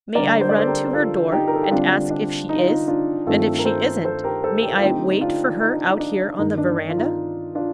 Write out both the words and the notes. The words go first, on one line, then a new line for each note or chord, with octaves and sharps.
"May I run to her door and ask if she is?--and if she isn't, may I wait for her out here on the veranda?"
D3 G3 A#3 A#4 D5
C5
D5
A4 C5
G4 A#4
F4 A4
D#4 G4
A#4
A4
G4
D3 G3 C4 D4 F4
D4
D#4
F4
D#4
D4 F4
G2 D#3 A3 C4 F4 A4
A#4
A4 C5
A4 C5
G4 A#4
A4 C5
G4 A#4
F4
D3 A3 C4 D#4 G4
D#4
D4 F4
D#4
D4
D#4
D4
G2 D#3 A#3 D#4
D4
D4
F4
D#4
D4 F4